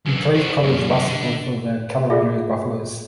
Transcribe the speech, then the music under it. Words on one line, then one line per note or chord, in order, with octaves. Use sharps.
He played college basketball for the Colorado Buffaloes.
F#2 E3
C4 F#4
F#2 A#2
F#2 D3
D3
E4 F4 G#4 A4 E5